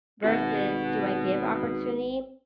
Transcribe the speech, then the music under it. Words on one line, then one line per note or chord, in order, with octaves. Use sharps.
versus do I give opportunity,
G#1 F#4 B4 F#5